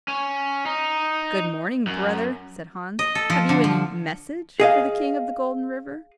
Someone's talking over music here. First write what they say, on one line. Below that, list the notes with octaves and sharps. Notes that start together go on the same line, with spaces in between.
"Good morning, brother," said Hans; "have you any message for the King of the Golden River?"
C#4
D#4
F#2
D#5
A4
F3
D3
F3
G#4 D#5 F5